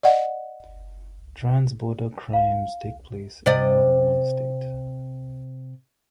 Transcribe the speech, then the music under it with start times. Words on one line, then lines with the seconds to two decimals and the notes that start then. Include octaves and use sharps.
Transborder crimes take place in more than one state.
0.03 D5 D#5 F#5
2.33 F5
3.46 C3 D5 D#5